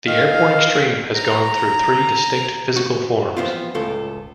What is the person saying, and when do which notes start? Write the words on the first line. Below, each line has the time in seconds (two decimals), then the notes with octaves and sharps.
The AirPort Extreme has gone through three distinct physical forms.
0.07 D#3 F5
1.15 A#5
2.76 F#4
3.37 E3 F3 B3 C4 F4
3.75 C#2 A2 F4 A4